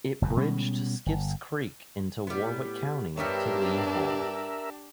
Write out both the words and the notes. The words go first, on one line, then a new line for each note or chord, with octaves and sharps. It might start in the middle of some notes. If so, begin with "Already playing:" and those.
It bridged Skiffe's Creek into Warwick County to Lee Hall.
F#1 E2 B2
B2 G3 G#3 C#4
G1
A2 G3 B3
G2 G3 B3 D4 G4 A#4 C#5 E5